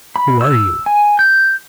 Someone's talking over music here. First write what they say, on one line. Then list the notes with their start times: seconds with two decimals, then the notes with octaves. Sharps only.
"Who are you?"
0.16 B5
0.41 E6
0.86 G#5
1.19 G6